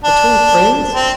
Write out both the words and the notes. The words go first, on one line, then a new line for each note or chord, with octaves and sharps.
Between friends?
D4
C4